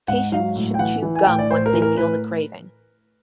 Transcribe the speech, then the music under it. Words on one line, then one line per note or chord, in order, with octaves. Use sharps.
Patients should chew gum once they feel the craving.
G#2 F#5
F#3 F5
A2
G5
E3 F#5
E3
G#5
A2 G5
D5
A2 C5
A#4
E3
A#4
A2 B4